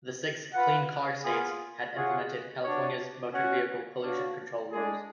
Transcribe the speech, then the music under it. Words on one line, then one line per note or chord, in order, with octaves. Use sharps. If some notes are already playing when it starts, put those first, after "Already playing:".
The six "clean-car states" had implemented California's motor-vehicle pollution-control rules.
F4 B4 F#5
B3 F4 G#4
F4 G#4 C#5 F#5
D4 F#4 C#5
C#4 F#4 C#5 F#5
D4 F#4 C#5 F5
G#3 D4 G#4